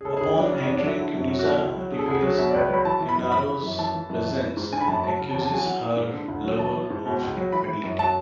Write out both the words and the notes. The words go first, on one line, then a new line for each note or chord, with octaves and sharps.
Upon entering, Cuniza reveals Leonora's presence and accuses her lover of infidelity.
G#4
C#3 A4
G#4
D2
E4
F#3 D4
C#3 C#4
D4
E2
D4
F#3 E4
D3 E4
F#2
F#3
F#4
B2 E4
C#2
F#3
D3 G#4
A4
D2 G#4
F#3
B2 E5
D5
C#2 B4
C#5
F#3 B5
E3 A5
E3
B5
F#2
E3 B5
E3
F#2
E3 A5
E3
F#2
E3
E3
G#2
D3 G#5
B5
F#2 A5
F#3 A5
C#3
A5
E2
A5
F#3 G#5
E3 F#5
E3
G#2
D3
D2
F#3
E3 A5
E3
G#2
B2
C#2
F#3
E3 B5
E3
F#2
F#3 A5